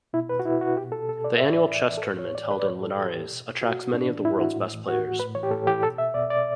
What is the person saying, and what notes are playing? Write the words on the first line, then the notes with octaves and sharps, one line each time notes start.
The annual chess tournament held in Linares attracts many of the world's best players.
B2 E4
B4
F#4
B2 E4
F#4
B2 G4
A4
B2 A4
D5
A2 E5
D5
E3
A2
E3
A4
A2 B4
E3 C#5
A2 D5
E3 B4
D5
A2 C#5
E3 A4
A2 G4
E3
B2
B2 F#4
A2 D4
E3
A2 E4
E3 F#4
A2
E3
A2 F#4
E3
A2 B4
E3 C#5
G4
A2 A4
E3 G4
B2 A4
E5
B2 D5
D5